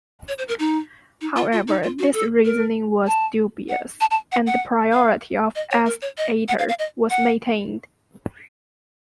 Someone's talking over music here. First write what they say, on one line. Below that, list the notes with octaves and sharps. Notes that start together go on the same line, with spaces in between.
However, this reasoning was dubious and the priority of "S. ater" was maintained.
C#5
C5
A#4
D#4
D#4
F4
F4
D#4
F4
F#4
A4
A#4
A5
F#5
A5
A5
F#5
F#5
F5
D#5
C#5
A#4
C#5
D#5
F#5
F5
F5
D#5
F#5